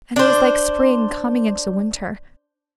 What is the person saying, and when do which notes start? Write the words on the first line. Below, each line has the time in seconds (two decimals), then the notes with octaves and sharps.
And it was like spring coming into winter.
0.16 D4 C5